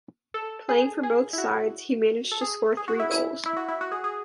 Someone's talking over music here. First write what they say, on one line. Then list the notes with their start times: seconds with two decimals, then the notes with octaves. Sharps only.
Playing for both sides, he managed to score three goals.
0.34 A4
0.69 G#4
1.03 G#4
1.33 E4
1.38 F#4
2.31 A4
2.41 G#4
2.77 G#4
2.88 F#4
2.99 E4
3.11 E4
3.46 E4
3.57 F#4
3.68 E4
3.81 F#4
3.92 G#4
4.04 G#4